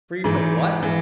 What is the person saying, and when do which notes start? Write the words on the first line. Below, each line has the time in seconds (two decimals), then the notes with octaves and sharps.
Free from what?
0.24 G#2 E3
0.83 E3